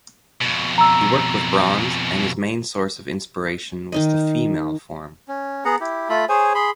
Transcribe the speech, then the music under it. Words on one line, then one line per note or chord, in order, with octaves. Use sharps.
He worked with bronze and his main source of inspiration was the female form.
F2 B2
A#5 E6
D#3 D#4 D#5
C#4
B3 G#4 F#5 A#5
E4 G4
A3 F4 A4 B5
G#4 C5 C#5 G#5
G#4 B5 C6